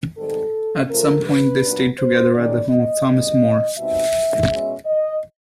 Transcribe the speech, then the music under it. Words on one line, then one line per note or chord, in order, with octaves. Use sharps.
At some point they stayed together at the home of Thomas More.
G#2 D#3 G3 C4 A4
C#3 F3 A3 A#4
B4
A#2 F#3 B3 D4
C5
D#3 G#3 C#4 D5
D#5
F#2 C#3 E3 G3 D#5
B2 G3 C4 D#4 E5
B2 G#3 C#4
D#5